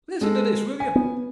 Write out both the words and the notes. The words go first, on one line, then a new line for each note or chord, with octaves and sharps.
Listen to this, will you?
G#3 A4
G#5
B3